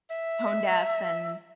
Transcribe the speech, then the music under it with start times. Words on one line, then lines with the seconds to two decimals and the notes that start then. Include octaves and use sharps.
tone deaf and,
0.10 E5